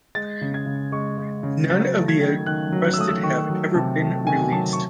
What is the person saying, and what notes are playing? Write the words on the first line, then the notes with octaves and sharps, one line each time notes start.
None of the arrested have ever been released.
G#3 A6
C#3
G#6
C#3
G#3 C#6
G#3
C#3
F#3 A6
A3
G#6
D#3
D#3 F#6
F#3
F#6
E6
A3 D#6
E6
D#3 C#6
F#3
C3 A5
A3
D#3 G#5
G#5
F#3 A5
C#6